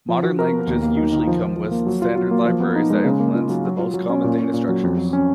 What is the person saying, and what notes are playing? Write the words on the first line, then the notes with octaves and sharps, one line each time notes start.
Modern languages usually come with standard libraries that implement the most common data structures.
F3
F#4
A#4
B3
D#2
A#3
D#4
D#3
F3
F4
F3
A#3
F#3
F4
F#3
A#3
F3
B3
D#4
G#3
C#3
A#3
F4
F#3
F#3
F4
F#3
C#4
A#2
C#4
A#2
F#3
F2
F#3
C#4